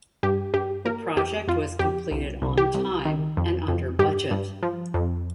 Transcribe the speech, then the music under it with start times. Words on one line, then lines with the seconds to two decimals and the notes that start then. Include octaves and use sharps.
The project was completed on time and under budget.
0.23 G2 G4
0.54 G2 G4
0.85 A#3 A#4
1.16 F2 G4
1.48 F2 F4
1.79 F2 G4
2.11 C2
2.42 C2
2.58 G4
2.74 C2
3.05 D#3
3.37 F2
3.68 F2
3.99 G2 G4
4.31 G2
4.63 F3
4.94 F2